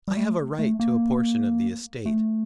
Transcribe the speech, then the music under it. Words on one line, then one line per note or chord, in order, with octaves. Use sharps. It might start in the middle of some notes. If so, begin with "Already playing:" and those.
"I have a right to a portion of the estate."
G3
A3
A3
A#3
A3